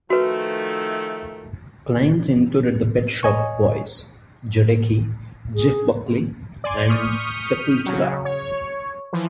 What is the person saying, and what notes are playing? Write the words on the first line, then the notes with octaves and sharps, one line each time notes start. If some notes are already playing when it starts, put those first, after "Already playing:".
Clients included the Pet Shop Boys, Jodeci, Jeff Buckley and Sepultura.
D#3 F3 A3 F#4 B4
C#5 D#5 G#5 C#6
G#4
D5 G#5 C6
C#6 D#6 F6 G6 B6 C#7
C#3 F#3
C#5
E3 F3